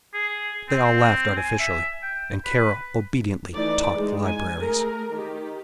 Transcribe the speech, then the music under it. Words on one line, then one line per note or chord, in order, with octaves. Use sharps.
They all laughed artificially, and Carol obediently "talked libraries."
G#4
C4
G#5
E5
G5
B4
E3 A3 D#4 D5
G#3 D#4
G#5
A3 G#4 A#4
D#3 G4